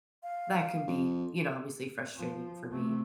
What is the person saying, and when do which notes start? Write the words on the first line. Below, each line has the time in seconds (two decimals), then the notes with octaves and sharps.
that can be, you know, obviously frustrating for me,
0.23 F5
0.87 F2
2.16 F3
2.71 C3 A3